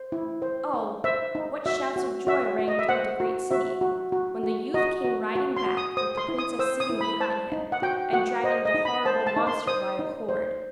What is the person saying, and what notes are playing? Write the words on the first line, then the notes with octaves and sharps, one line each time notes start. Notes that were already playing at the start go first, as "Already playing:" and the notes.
Oh! what shouts of joy rang through the great city, when the youth came riding back with the princess sitting behind him, and dragging the horrible monster by a cord.
Already playing: C5
E4
C5
D#4
C5 E5
D#4
F#4 E5
F#4
F#4 E5
F#4
D#5
E5
C5 F#5
F#4
F#4 E5
F#4
F#4
F#4
F#4 D#5
F#4
F#4
C6
F#4
D#6
C5 D#6
C6
E4
D#6
C5 E6
D#6
E4
B5
C5 A5
D#4
F#5
F#4 G5
F#4 F#5
C5 D#5
D#5
D#4
B5
C5 A5
A5
D#4
C6
C5 D#6
D#4
C5